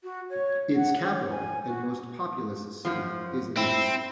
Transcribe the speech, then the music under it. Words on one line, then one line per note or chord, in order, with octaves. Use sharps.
Its capital and most populous city is Minsk.
F#4
C#5
F#5
C#5
G#5
F#4
F#2 F3
C4 E4